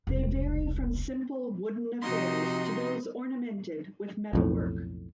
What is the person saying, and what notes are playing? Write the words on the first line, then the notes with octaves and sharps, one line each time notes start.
They vary from simple, wooden affairs, to those ornamented with metalwork.
E1 C2
C3 F3 D#4 F#4 D#5 C6
B1 F2 A2